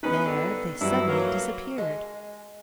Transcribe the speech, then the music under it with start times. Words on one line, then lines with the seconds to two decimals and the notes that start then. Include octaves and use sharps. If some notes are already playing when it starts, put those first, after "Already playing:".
There they suddenly disappeared.
0.03 B3 C#4 D#4 G#4 B4
0.25 G2 D3
0.81 G2 B2 E3 F#3 E4
1.08 F#3 A#3 B4
1.78 G#3